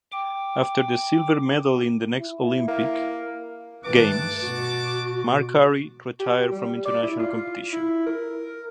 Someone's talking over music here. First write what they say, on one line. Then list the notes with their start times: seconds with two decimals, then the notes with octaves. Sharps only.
After the silver medal in the next Olympic Games, Marcari retired from international competition.
0.12 G5 D6
2.20 E4
2.68 A#3
3.84 G2 D#3 A3 B4 F#5 A5 D6
4.41 B2 F#4
6.20 G4
6.52 G3
6.85 D5
7.03 E4
7.19 F4
7.73 E4
8.06 A#4